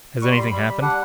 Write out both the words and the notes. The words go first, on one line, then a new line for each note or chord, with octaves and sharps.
"Has any thing happened?"
G3 C#6
C6
G3 B5
G3
G3
D4 F#5